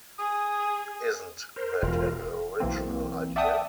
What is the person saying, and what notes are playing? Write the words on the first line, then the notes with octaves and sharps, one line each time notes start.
Isn't that an original idea?
G#4 D#6
A#4 C5
E1 F4 A#4
B1 E3 A#3 C4
D5 E5 F#5 G5 A5 D#6